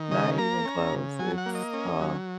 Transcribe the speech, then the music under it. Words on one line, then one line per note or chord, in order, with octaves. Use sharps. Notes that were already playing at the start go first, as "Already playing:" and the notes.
not even close. It's, uh
Already playing: D#3
C#3 D#5
A#3 A#5
C#4
C#3
F#3 G#5
F#5
A#3
D#5
C#4
F#3